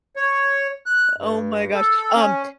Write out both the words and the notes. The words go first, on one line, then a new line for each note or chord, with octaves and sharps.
Oh my gosh, um,
C#5
F#6
G2
A4
C#4